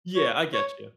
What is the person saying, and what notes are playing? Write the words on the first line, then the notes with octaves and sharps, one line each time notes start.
Yeah, I get you.
C#5
C#5